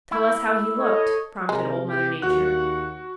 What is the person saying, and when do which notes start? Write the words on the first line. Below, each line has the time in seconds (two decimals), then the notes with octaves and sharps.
"Tell us how he looked," prompted Old Mother Nature.
0.11 E4
0.78 A4 C#5 D#5
1.49 C3 G#3 A#4
1.89 G4
2.22 D#2 F#4 F#5 F#6